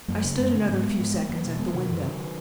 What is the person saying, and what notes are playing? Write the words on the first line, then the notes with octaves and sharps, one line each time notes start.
I stood another few seconds at the window.
F#2 F#3 A#3
C#3
F#2 G#3 B3
C#3 A#3 C#4
G#2 G#3 B3
G#2
E2 F#3 A#3
B2
E2 G#3 B3
B2 D#3 F#3
F#2 D#3 F#3
C#3